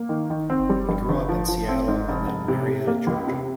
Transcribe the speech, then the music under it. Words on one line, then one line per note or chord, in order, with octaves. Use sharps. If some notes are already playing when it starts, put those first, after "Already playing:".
He grew up in Seattle and then Marietta, Georgia.
Already playing: A#3
D#3
D#3
C4
G3
G2
G1
F3
F3
C4
G#2
F1
F1
C3
C3
A#3
C#2
C3